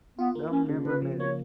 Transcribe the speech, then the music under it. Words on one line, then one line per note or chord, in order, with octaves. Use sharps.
Dumm never married.
B3 F4
A#3
A#3 C#4
C#3
C#3 B4
F3
A#3 C#5